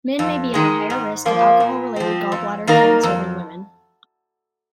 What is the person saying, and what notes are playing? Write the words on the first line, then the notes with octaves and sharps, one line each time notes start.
Men may be at a higher risk of alcohol-related gallbladder cancer than women.
F2
D#3 G#3
G#2
F3 A#3 F4
A#2
F3 C4
F2
D#3 A#3 D#4 A#4
F2